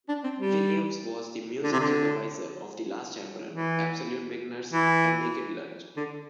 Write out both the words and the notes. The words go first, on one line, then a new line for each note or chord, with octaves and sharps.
Williams was the music supervisor of The Last Emperor, Absolute Beginners and Naked Lunch.
D4
C4
G3
D3
C3
D3
E3
E3
D3